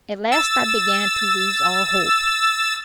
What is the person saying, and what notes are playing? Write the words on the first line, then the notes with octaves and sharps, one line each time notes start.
At last I began to lose all hope.
E6 A6